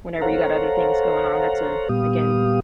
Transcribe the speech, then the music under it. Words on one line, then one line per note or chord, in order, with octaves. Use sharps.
Whenever you got other things going on, that's a again,
A4 C5 C#5 F5 F#5 A#5
A#2 G3 B3 G4 F5 D#6